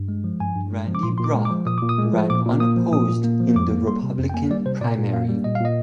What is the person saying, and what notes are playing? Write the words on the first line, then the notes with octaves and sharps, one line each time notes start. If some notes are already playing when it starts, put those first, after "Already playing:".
Randy Brock ran unopposed in the Republican primary.
Already playing: G2
G#3
F3
G2 G#5
G2
G#3
F3
D6
A#2 C6
A#2 C6
D6
G#3
D6
F3
A#2 D#6
A#2 D6
D#6
G#3
F3
A#2 D6
A#2
A#3 D#6
F3
A#2 D#6
A#2
A#3
F3
F2 D6
A#3
G3 C6
C3
F2
G5
A#3 G#5
G3 D5
C3 C5
A#2 D5
A#2
A#3 F5
G3
A#2 D#5
F5
A#2 D#5